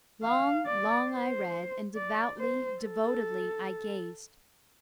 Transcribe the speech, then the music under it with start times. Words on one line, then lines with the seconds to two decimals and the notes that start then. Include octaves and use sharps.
Long--long I read--and devoutly, devotedly I gazed.
0.23 F5
0.66 D5
1.09 C5
1.95 D5
2.38 C5
2.82 A4